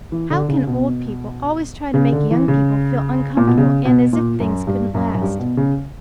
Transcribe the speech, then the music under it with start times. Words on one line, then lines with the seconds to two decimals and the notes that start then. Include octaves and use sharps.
How can old people always try to make young people feel uncomfortable, and as if things couldn't last?
0.12 E3
0.30 D3
0.48 C#3
0.67 B2
1.94 C#3
2.12 D3
2.31 E3
2.48 C#3
3.37 A#2
3.47 B2
3.57 C#3
3.85 B2
4.13 A#2
4.40 F#2
4.67 G2
4.94 F#2
5.14 F#2
5.22 G2
5.39 B2
5.57 C#3